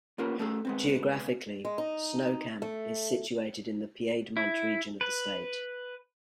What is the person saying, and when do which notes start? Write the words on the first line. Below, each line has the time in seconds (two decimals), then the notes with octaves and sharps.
Geographically, Snow Camp is situated in the piedmont region of the state.
0.18 A#3 B3 C#4 F4 A#4
0.39 A3 C#4 G#4 A4
0.65 G#3 B3 C4
1.65 G#3
1.78 D#4
2.62 A3
4.37 E4
5.01 B4